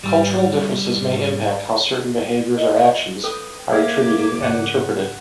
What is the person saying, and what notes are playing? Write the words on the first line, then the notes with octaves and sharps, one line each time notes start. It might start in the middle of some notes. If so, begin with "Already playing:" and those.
Cultural differences may impact how certain behaviors or actions are attributed and interpreted.
G#2 G3
D#5
A4 B4 G5 D#6
A#3 G#4 E5 F5 D6 G#6 B6
G#2 C#3 F#5